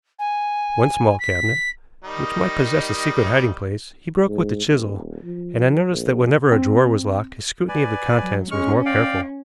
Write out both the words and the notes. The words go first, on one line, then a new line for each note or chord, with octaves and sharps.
One small cabinet, which might possess a secret hiding-place, he broke with the chisel, and I noticed that whenever a drawer was locked his scrutiny of the contents was more careful.
G#5
B6
D#3 G3 D#4
G#2
D#1
F3
A#1
C4
B4 D5 G#5
F#3
G#3 C#4 C#6 F6
D5 F5 G5